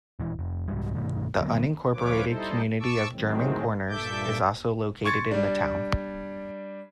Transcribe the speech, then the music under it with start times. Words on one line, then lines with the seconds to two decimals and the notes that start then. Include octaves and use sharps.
The unincorporated community of German Corners is also located in the town.
0.20 D#1 E3
0.39 F1
0.68 C2 F2 G#2 G3
0.95 G2 B2 D#3 A3
1.41 D3 F#3 A#3 B3
1.95 D2 F3 F4 B4 C#5 D6
2.27 G3 D#4 E4 A4 C5
2.80 A5 C#6 D6 E6
3.13 A2 D#3 F#3 G#3 C4
3.90 G2 A#2 A4 E5 D6 G6
5.04 C6 C#6 G#6 A6 C#7
5.31 G3 D4